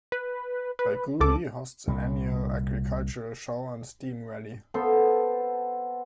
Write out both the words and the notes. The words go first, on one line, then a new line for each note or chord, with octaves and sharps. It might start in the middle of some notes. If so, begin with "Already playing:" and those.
Belgooly hosts an annual "agricultural show" and "steam rally".
B4
B4
C#2 A4 D6
C2 A#2
B3 A4 C5